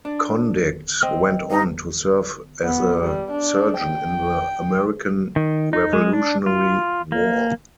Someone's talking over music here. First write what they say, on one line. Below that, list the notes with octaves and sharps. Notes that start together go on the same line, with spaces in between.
Condict went on to serve as a surgeon in the American Revolutionary War.
D4
C4 D#5
D#4
B3
G3
D4
G5
D#3
D#4
G#3
D4
F4
A#3